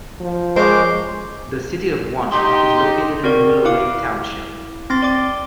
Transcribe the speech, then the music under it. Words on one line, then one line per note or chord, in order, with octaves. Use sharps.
The city of Wanda is located in Willow Lake Township.
F3
G#3 A#4 C5 C#5 D6
D#4 G4 C6
C4 F#4 A#4 D5
E4 F5 D6
C4 C6 A6
D5 D6